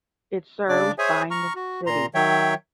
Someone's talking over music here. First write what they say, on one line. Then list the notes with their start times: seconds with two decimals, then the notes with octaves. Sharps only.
It serves Bhind city.
0.69 C#3 D4 D5 D6
0.98 G#4 C5 C#5 E5 G#5 D#6
1.31 A#5 C#6 F6
1.55 F#4
1.86 A#2 A#5 C6
2.15 D#3 F#3 C#5 E5 G5